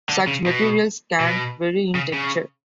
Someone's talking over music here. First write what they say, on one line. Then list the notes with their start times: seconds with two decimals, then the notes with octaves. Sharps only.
Such materials can vary in texture.
0.09 D3
0.27 C#3
0.46 B2
1.20 B2
1.95 C#3
2.14 C#3